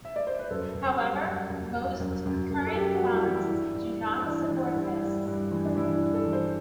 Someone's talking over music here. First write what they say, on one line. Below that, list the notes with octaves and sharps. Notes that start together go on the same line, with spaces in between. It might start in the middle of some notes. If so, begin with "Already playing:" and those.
However, most current fonts do not support this.
E5
D5
C5
B4
F#2 A4
F#2
G3
F#2
F#2
F#2
F#2
F#2
F#2
A4
F#2 G4
F#4
G3
E4
E3
E4
G2
G2
G2
E4
E3 D4
D4
E3
E4
G2
E4
G3
G2
E3
D4
E3 E4
G2
A4
E3
C5